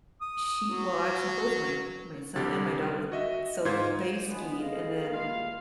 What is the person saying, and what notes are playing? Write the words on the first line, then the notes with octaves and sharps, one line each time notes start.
she well, actually, both my my son and my daughter so, they skied, and then,
D#6
F#3
C2 D3 G4 A6
F#4 D#5 E5
G#2 F4 C5 G#6
D3 E3 F#3 G#3 B3
B3 G#4 A4 D#5 F5
G3 G#3 A#3 E4 F4 F5